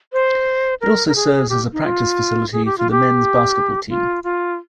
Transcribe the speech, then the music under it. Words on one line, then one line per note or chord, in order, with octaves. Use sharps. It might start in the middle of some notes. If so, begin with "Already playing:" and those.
It also serves as a practice facility for the men's basketball team.
C5
A#4
A#4
G#4
G4
D#4
F4
G#4
G4
F4
G4
F4
F4